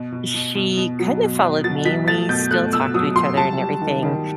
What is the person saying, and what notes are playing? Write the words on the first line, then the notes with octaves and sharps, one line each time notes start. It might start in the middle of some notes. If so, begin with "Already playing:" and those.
she kind of followed me, and we still talk to each other and everything,
Already playing: B2
B2
B2
B2
B2
F#3
B2
B2
F#3 A6
F#3 B6
A3 A6
B2 G6
A3 F#6
B2 E6
F#3 D#6
F#3 C6
G3 A5
G3
D#3
D#3